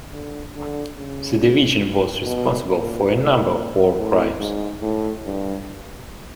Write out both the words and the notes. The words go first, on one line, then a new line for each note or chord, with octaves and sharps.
The division was responsible for a number of war crimes.
D3
D3
C#3
B2
A#2
A#2
A2
G#2
A2
G2